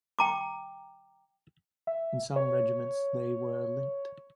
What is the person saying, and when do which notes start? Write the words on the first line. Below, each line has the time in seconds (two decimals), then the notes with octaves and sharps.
In some regiments they were linked.
0.19 G5 A#5 D6
1.87 E5
2.36 C#5